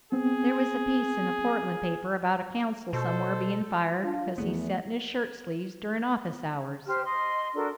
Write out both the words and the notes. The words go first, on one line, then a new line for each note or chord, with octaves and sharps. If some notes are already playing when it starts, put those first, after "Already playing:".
There was a piece in a Portland paper about a Counsul somewhere being fired because he set in his shirt-sleeves durin office hours.
B3 C4 G#4
B2 A4 C5
D4 F4
E2 F3 A3 B3
G4 C5 F6
D#5 C6
D4 F#4 A4 A#4